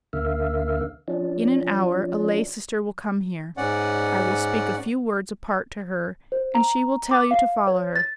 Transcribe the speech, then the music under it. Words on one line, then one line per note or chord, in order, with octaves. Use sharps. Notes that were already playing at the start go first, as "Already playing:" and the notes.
In an hour, a lay-sister will come here, I will speak a few words apart to her, and she will tell you to follow her.
D2 D3 A#3 E5 F5
F3 C#4 D4
G#2 C#4 D5 F#5
C5
A#5
D6
F5
C#5
A6